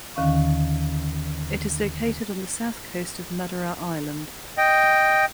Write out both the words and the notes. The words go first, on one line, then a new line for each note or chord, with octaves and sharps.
It is located on the south coast of Madura Island.
D#2 D3 D#3 C#4 F5 C#6
D#5 G5